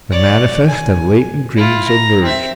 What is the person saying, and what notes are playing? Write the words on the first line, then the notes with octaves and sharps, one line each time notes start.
The manifest and latent dreams are merged.
C#5 D5
G#5
E4 F4
A#5
C4 E5